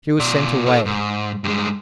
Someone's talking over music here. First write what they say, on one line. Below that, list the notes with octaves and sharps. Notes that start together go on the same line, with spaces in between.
She was sent away.
B2 D5
A4 C#5
G#2
G2 G#3